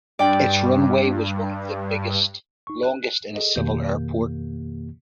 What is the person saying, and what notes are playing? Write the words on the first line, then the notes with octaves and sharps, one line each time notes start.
Its runway was one of the longest at a civil airport.
G2 D5 G5
D#4 C#6
F#6
G#4 A4 D#5
F2 B2 D#3 A#3 G4 G6